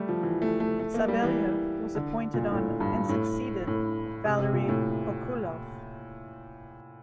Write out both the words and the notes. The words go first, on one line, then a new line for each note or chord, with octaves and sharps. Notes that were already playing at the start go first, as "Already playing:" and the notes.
Savelyev was appointed on and succeeded Valery Okulov.
Already playing: G3 A3
F3
E3
A3
A3
A3
A#3
G3
E3
D3
A#2
A2
G2
A2
A2
C3
C3
A#2
A2